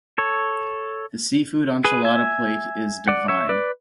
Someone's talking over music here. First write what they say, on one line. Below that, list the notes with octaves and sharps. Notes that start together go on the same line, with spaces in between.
The seafood enchilada plate is divine.
A4 C#5
G#4 B4
E5 G#5
D5 F#5
C#5 E5
B4 D5